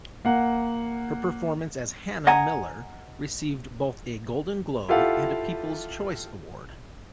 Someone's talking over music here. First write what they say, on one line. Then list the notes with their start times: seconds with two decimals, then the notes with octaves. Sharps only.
Her performance as Hannah Miller received both a Golden Globe and People's Choice Award.
0.25 A#3 F#5
2.27 D#5 F#5 G#5 A#5
4.88 E4 F4 G4 A4 F5 F#5